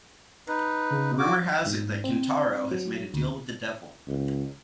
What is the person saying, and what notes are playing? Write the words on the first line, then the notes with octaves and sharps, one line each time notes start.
Rumor has it that Kintaro has made a deal with the devil.
D#4 B4
C#3
F#4 D6
G#2
C4
F#3
D2
C#2